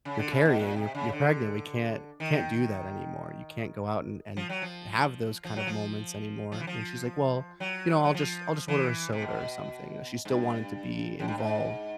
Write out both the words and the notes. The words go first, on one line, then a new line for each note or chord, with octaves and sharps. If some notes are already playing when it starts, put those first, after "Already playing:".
you're carrying, you're you're pregnant. We can't can't do that anymore. You can't go out and and have those kind of moments anymore." And she's like, "Well, you know, I'll just I'll just order a soda or something." You know? She still wanted to be involved
C#3
D3
C#3
B2
A#2
C3
C#3
D3
D#3
F3
F#3
F3
F3
F#3
F3
F3
E3
F3
F#3
F#3
F3
E3
C3
B2
G#2
G2
F#2
G2
G#2